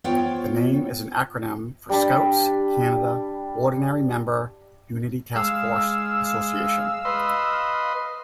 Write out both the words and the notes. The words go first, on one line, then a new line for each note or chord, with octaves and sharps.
The name is an acronym for "Scouts Canada Ordinary-member Unity Taskforce Association".
B3 F4 C5 C#5 G5
G3 D4 G5 B5
G#3 F5 E6
B4 D#5 C6